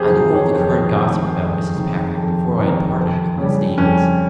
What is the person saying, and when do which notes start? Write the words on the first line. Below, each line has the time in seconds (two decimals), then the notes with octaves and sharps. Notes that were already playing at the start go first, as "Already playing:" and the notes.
I knew all the current gossip about Mrs. Packard before I had parted with Miss Davies.
Already playing: F2 G4 G#4 C5
0.12 C3 D#3
0.33 C#5
0.53 F2 C#5
0.95 C3 D#3
1.35 F2
1.76 C3 D#3
2.15 F2
2.57 C3 D#3
2.96 F2
3.38 C#3 G3
3.78 F2 C#4